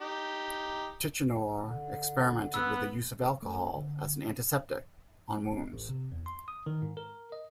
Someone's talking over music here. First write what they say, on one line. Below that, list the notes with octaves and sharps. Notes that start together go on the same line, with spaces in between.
Tichenor experimented with the use of alcohol as an antiseptic on wounds.
D#4 G4
D3
B3 B4 E6
A3
D3
A1
C3
E2
C6
D#6
D#3
G#2
A#4
D#5